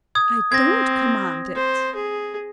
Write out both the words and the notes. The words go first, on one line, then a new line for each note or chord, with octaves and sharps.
"I don't command it!"
D#6 G#6
C4 G#6 A#6
C5
G#4